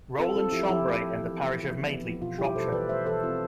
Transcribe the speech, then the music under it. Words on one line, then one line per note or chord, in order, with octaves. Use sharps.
Rowland Chambre in the parish of Madeley, Shropshire.
C4 F4 A4
C4 F4 A4
F3 E4 G4
F3 E4 G4
A3
F3
E3
B3
E3
F3
B3
F3
B2 F4
G3 E4 G4
B2 A4 C5
E3 B4 D5
A3 C5 E5
E3 A4 C5
C4 F4